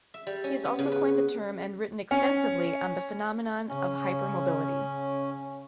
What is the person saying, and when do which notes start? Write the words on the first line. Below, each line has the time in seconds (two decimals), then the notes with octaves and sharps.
He has also coined the term and written extensively on the phenomenon of hypermobility.
0.14 E5
0.27 G3
0.44 C#4
0.65 B3
0.79 C#3
0.92 B4
2.11 C#4
3.69 C#3 C#4